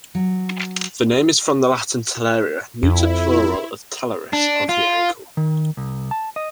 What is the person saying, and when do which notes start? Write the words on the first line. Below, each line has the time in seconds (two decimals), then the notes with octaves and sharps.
The name is from the Latin "talaria", neuter plural of "talaris", "of the ankle".
0.15 F#3
2.83 F2 E4
4.33 D4
4.69 F4
5.37 D#3
5.77 C2
6.11 A5
6.36 D#5